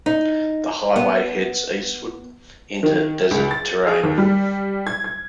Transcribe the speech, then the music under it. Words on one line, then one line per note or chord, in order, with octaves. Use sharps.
The highway heads eastward into desert terrain.
D#4
B3
D#3
C#2
A6
G#4
D#2
G3
G#6
G#6